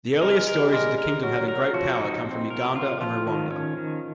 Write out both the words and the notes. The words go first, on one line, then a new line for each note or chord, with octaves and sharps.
The earliest stories of the kingdom having great power come from Uganda and Rwanda.
G#3 A#4
A#4
G3
G#3 A#4
A#4
F#3 A#4
F#3
A#4
F#3
F3 F#4
D#4
C4
A#4
F4
F3 F4
D#3 F3
C#4
D#3